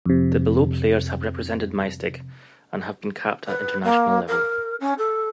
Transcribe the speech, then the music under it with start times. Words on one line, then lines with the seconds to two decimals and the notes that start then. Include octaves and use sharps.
The below players have represented Maesteg and have been capped at international level.
0.06 F2 C3
3.47 B4
3.83 A#3
4.28 A#4
4.80 C#4
4.98 A4